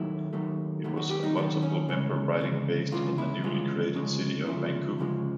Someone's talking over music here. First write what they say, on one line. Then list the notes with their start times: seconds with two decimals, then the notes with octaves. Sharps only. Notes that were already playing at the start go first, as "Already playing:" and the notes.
It was a multiple member riding based in the newly created city of Vancouver.
Already playing: D#2 D#3 F#3 A3 E4
0.33 D#2 D#3 F#3 A3
0.84 D#2 D#3 F#3 A3
0.97 F#4
1.10 G4
1.23 D#4
1.36 D#2 D#3 F#3 A3 D4
1.62 C#4
1.88 D2 C#3 E3 G#3
2.40 D2 C#3 E3 G#3
2.92 D2 C#3 E3 G#3 F4
3.18 E4
3.43 D2 C#3 E3 G#3 F4
3.95 D2 C#3 F3 G#3
4.47 D2 C#3 F3 G#3 E4
4.98 D2 C#3 F3 G#3